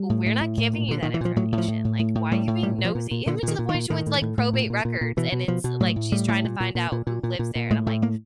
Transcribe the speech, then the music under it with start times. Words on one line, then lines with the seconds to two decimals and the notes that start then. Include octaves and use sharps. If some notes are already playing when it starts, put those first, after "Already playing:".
"We're not giving you that information, like, why are you being nosy?" Even to the point she went to, like, probate records and it's like, she's trying to find out who lives there, and I'm, like,
Already playing: G3
0.10 A2
0.26 A2
0.41 A2
0.57 A2
0.74 A#2
0.88 A#2 D3
1.02 A#2 D#3
1.14 E3
1.21 A#2 F3
1.36 A2 F#3
1.52 A2
1.58 F3
1.68 A2
1.85 A2
1.99 A2
2.15 A2
2.31 A2 G3
2.47 A2
2.63 A#2 G3
2.79 A#2
2.85 F3
2.95 A#2
3.11 A#2
3.26 A#2 D3
3.43 A#2 D#3
3.59 A#2
3.69 D#3
3.74 A#2
3.90 A2 D#3
4.07 A2
4.22 A2
4.38 A2
4.53 A#2
4.70 A#2
4.85 A#2
5.01 A#2
5.17 B2 E3
5.32 B2
5.48 B2 F3
5.64 B2
5.80 A2 F#3
5.96 A2
6.12 A2 G3
6.28 A2
6.44 A#2
6.60 A#2
6.75 A#2
6.92 A#2
7.07 A#2
7.23 A#2
7.39 A#2
7.55 A#2
7.71 A2 G#3
7.87 A2 A3
8.02 A2 A#3